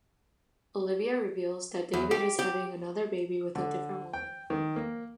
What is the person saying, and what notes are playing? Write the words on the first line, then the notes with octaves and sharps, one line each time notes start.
Olivia reveals that David is having another baby with a different woman.
E2
G4
G4
D3
G5
D#3
A#3